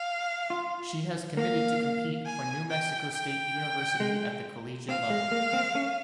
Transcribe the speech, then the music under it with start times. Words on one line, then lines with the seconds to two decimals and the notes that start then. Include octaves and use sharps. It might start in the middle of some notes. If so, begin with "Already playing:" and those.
She has committed to compete for New Mexico State University at the collegiate level.
Already playing: F5
0.50 F4
1.37 A#3 F5
2.25 G#5
2.70 G5
3.13 G5
4.00 G#3
4.89 C4 F5
5.10 G#3
5.32 A#3
5.53 C4
5.75 C#4